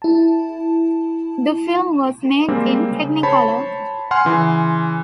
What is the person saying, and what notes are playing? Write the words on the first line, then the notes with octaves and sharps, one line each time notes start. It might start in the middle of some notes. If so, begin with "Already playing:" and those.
The film was made in Technicolor.
E4 A5
G3 G#3 A#3 C4
C#3
C5 C#5 A5 B5
F#5 G#5 C6 F6
C#3 E3 C6